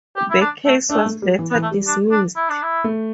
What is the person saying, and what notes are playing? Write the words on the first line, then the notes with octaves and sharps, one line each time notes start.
The case was later dismissed.
G4
E4
D4
A3
A3 D4
A3
G3
E3
B3
E3
A3
G3
D4
D4
E4
D4
E4
A3